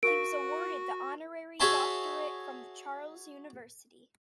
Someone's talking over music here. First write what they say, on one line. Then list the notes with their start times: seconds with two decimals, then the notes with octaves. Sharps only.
He was awarded the honorary doctorate from the Charles University.
0.03 F#4 A#4 F5 D7
1.60 F#4 G#4 C#5 E5 A5 C6